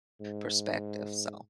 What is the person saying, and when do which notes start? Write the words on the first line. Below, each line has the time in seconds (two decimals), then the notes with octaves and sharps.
perspective, so
0.21 G#2